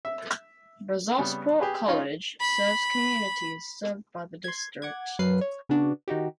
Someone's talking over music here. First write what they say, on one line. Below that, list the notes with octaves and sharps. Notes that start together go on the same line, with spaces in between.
Brazosport College serves communities served by the district.
E5
C#3 G3 B3
G4 G#4 B4
C#4 D#4 F4 C#5 F5
B5
C6 G#6
F#5 D6 G#6
F#2 F#3 B4 F5 C7
C#5
C#3 B3 D4 F#4
D#3 D#4 F#4 G4